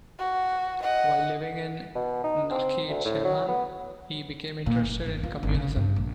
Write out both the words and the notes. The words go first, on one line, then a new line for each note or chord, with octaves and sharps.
While living in Nakhichevan, he became interested in Communism.
F#4
D#5 F#5
B2
D#4
C4
D2
A2
F#3
B3
A#2
F#1
G1
F4
G#1
C#3
G2
A#1